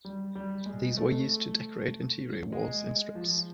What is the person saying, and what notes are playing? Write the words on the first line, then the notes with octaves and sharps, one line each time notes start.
These were used to decorate interior walls, in strips.
G3
G3
G#3
A3
G#3
F3